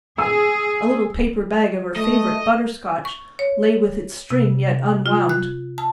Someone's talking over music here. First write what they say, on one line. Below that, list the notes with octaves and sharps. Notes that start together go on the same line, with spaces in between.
A little paper bag of her favorite butter-scotch lay with its string yet unwound.
G#4 E6
A3 D#5
C#6
C#5
C3
F4
F#6
A5